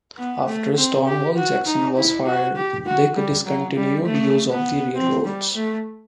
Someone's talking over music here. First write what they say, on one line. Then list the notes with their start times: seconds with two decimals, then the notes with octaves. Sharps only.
After Stonewall Jackson was fired they discontinued use of the railroads.
0.17 B3
0.47 A3
0.76 C4
1.07 G4
1.36 F#4
1.66 D#4
1.96 E4
2.26 F#4
2.56 G4
2.86 F#4
3.16 G3
3.46 F#3
3.76 G3
4.06 A3
4.50 B3
4.95 C4
5.25 G3
5.55 A3